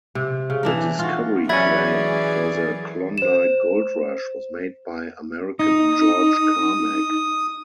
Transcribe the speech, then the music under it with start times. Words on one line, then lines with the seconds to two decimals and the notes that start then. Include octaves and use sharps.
The discovery claim for the Klondike gold rush was made by American George Carmack.
0.15 C3
0.50 C#3
0.63 E3 D4 D#4
0.99 F4 F#4
1.49 E3 F#3 C#4 G#4 D5 E5 B5 G#6
3.18 C5 E7
5.59 D#4 D#6